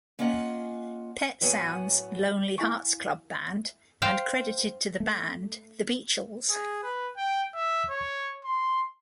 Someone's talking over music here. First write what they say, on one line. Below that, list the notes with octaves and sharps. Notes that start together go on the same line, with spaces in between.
Petsound's Lonely Hearts Club Band and credited to the band The Beachles.
A#3 C#4 F4 D#5 F#5
F#2 A2 F#3 B3 F#5 G#5
E4 F5 G#5 C#6
C5 F5 G5
A3
G#4
B4
G5
E5
C#5
C6